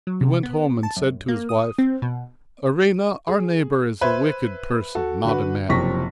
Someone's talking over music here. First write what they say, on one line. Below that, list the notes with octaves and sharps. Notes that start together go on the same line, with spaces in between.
He went home and said to his wife: "Arina, our neighbour is a wicked person, not a man."
F#3
C3
B3
A5
F#2
A#3
D#6
C4
B2
G#4
B4 C5 E5 B5 G#6
F#4 A4
D3 F#4 B4
F#1 C3 F3 C#6 A#6 B6